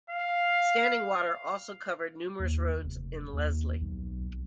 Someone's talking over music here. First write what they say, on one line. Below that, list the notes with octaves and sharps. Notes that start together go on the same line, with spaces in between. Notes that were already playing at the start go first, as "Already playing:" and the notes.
Standing water also covered numerous roads in Leslie.
F5
D#2
F1
D#2
B1